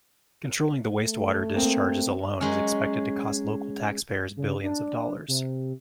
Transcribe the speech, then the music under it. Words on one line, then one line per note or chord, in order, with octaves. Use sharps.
Controlling the wastewater discharges alone is expected to cost local taxpayers billions of dollars.
A3
A#3 C4
F#3 G#3 C#4
C#3
D4
C3